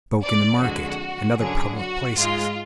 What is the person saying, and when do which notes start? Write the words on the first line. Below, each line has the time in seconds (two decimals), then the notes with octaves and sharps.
He spoke in the market and other public places.
0.23 D5
0.60 F2 D3 G#3 F#4
1.38 F#2 D3 F#3 G#4
1.76 F#4
2.15 G#2 G#3 F4